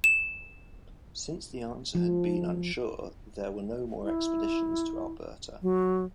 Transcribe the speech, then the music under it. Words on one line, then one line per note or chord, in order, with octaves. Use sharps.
Since the answer had been unsure, there were no more expeditions to Alberta.
E7
F3
E4
F#3